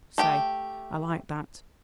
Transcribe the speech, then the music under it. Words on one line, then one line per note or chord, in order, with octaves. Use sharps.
Say, I like that!
A3 G4 G5